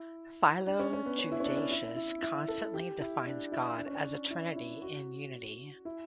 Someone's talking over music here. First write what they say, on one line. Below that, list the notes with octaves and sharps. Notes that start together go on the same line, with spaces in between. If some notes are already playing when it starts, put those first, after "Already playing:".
Philo Judaeus constantly defines God as a Trinity in Unity.
Already playing: E4
D4
C#4
C#4
B3
C#4
E4
C#4
D4
C#4
E4
E4
E4
A4
G4
E4
D4
E4
D4
C#4
D4
E4
E4
F#4
E4